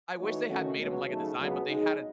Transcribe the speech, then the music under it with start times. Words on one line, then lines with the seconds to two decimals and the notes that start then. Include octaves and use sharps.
I wish they had made 'em like a design, but they had a
0.18 E3 A3 D#4 F#4 C#5
0.48 D#3 A3 C#4 F#4
0.77 C#2 B2 F#3
1.07 C#3 F#3 A3 D#4 A4
1.37 C#2 C#3 F#3 B3
1.66 G#3 D#4 G#4 D#5